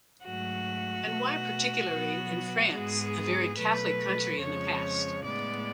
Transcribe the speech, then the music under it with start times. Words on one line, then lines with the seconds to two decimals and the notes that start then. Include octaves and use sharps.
And why particularly in France, a very Catholic country in the past?
0.25 G#2 F#3 A3 F#4
1.08 B2 A3
1.92 B2 F#3 B3
2.74 G#2 G#3 B3 G#4
3.58 B2 F#3 A3 B4
4.41 F2 C#3 F3 G#3 C#5
5.24 A2 G#3 B3 D5